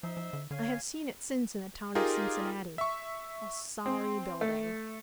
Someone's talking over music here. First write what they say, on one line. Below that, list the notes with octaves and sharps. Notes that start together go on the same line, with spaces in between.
I have seen it since in the town of Cincinnati,--a sorry building!
F3 D#4 C5 E5
F3
D3
D3 C#4 F5 G#5
D#4 F4 G4 G#4 A#4
E5 C#6
C4
A3